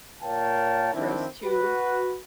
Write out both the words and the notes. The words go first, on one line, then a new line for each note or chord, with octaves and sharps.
for us to
A#2 A#4 C#5 F5 G5 A5
D#3 F3 C4 D4 E4
F#4 B4